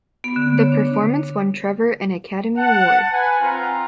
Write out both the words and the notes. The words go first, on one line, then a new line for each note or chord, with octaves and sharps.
The performance won Trevor an Academy Award.
B3
D3
C#5
D4
F#5 A5
B4 G#5
C4 F4 F5 A#5